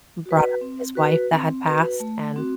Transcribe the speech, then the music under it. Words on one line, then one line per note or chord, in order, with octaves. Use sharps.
brought up his wife that had passed, and,
F#4 B4
C4
F#4 B4
C4
F#4 B4
A3
C4 F#4